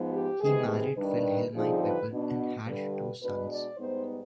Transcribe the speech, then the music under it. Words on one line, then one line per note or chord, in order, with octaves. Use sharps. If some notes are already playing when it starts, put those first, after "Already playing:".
He married Wilhelmine Weber and had two sons.
Already playing: G#2 F3 B3
G4
C3 D#3 G#3 B3 G#4
G#4
G2 D#3 G3 D4 B4
G2 D3 F3 C4 D#4 G#4
B4
B2 B3 D4
G2 D3 G3 B4
B2 G#3 D4 B4
D5
G#2 G3 B3 D#4 C5